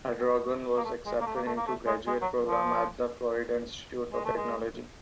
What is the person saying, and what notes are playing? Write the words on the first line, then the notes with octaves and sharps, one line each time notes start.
Adragon was accepted into a graduate program at the Florida Institute of Technology.
A#3
A3
G#3
A#3
A3
A#3
A3
A#3
A3
G#3
G#3
F#3
F3
G#3
A3
G#3